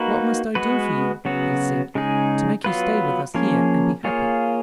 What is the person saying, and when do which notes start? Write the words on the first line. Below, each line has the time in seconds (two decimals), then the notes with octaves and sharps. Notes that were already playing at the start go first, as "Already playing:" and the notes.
"What must I do for you," he said, "to make you stay with us here and be happy?"
Already playing: A#3 D#4 F#4 B4
0.55 G#3 B3 F#4 B4
1.25 C#3 F#3 B3 F#4
1.95 C#3 G#3 D#4 G#4
2.64 F#3 B3 F4 B4
3.34 F3 A#3 C#4 G#4
4.04 A#3 F4 G#4 C#5